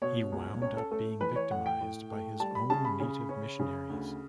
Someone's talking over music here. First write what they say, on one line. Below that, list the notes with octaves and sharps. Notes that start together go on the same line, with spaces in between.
He wound up being victimized by his own native missionaries.
B2 C#5
C#2
C#4 C#5
A4
A3 A4
E3 B4
C#5
A2 F#5
G5
A2
A3
G3 A5
B5
C#3 A5
B5
C#3
C#4
C#3
D2